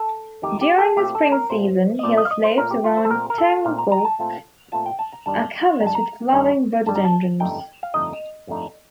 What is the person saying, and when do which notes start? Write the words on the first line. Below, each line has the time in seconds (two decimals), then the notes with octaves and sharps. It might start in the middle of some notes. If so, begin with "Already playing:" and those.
During the spring season, hill slopes around Tengboche are covered with flowering rhododendrons.
Already playing: A4
0.42 F2 D#3 A3 D#4 G4
0.61 G4
0.78 A4
0.96 A#2 A3 C4 F4 G4
1.15 A4
1.32 A#4
1.50 A#2 A3 C4 F4 C5
1.99 D#5
2.03 A#2 A3 C4 F4 D5
2.17 D#5
2.25 F5
2.31 D#5
2.44 C5
2.57 A#2 A3 C4 F4 A#4
2.71 G4
2.84 F4
2.97 C5
3.05 A4
3.10 A#2 A3 C4 F4 A#4
3.30 A#4
3.38 A4
3.65 A#2 A3 C4 F4 F5
3.78 A#5
3.92 A#5
4.05 A5
4.19 A#2 A3 C4 F4
4.72 A#2 A3 C4 F4 A5
4.86 G5
4.99 A5
5.12 A#5
5.26 G2 D#3 G3 D4 A5
5.79 G2 D#3 G3 D4 A#5
5.87 A5
5.95 A#5
6.33 G2 D#3 G3 D4
6.86 G2 D#3 G3 D4 A5
6.96 A#5
7.05 A5
7.40 G1 F2 D3 A3 D#4 G5
7.83 F5
7.94 G1 F2 D3 A3 D#4 D#5
8.47 G1 F2 D3 A3 D#4